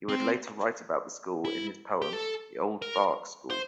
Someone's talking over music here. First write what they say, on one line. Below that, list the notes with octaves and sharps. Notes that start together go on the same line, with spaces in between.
He would later write about the school in his poem, "The Old Bark School".
C4
E4
G4
A4
A#4
C5